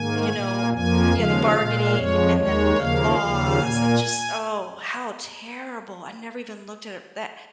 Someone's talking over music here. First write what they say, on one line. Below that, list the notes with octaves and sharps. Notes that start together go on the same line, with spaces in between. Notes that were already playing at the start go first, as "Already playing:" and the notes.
you know, eh, the yeah, the bargaining and then the loss, and just Oh, how terrible, I never even looked at it that
Already playing: G#2 D#3 A#3 G#5
A#2 A#3
F2 F3 A#3 G#5
D#2 C#3 F3 G#3 F5
A#2 G#3
F2 F3 G#3 C#5
D#2 D#3 G#3 C#5
D#2 C#3 F3 A#3 F5
D#2 C#3 F3
A#2 A#3 G#5